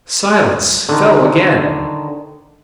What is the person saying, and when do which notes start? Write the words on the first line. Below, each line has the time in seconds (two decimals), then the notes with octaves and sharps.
Silence fell again.
0.89 D3 D#3